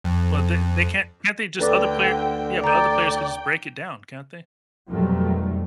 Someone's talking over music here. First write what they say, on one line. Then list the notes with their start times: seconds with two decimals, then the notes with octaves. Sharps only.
Well, they they can't can't they just other player yeah, but other players can just break it down, can't they?
0.04 F2
1.60 D2 D3 B4 D5 G5 D6
2.64 D5 G5 A#5 G6
4.88 F2 B2 D#3 F#3 G3 A3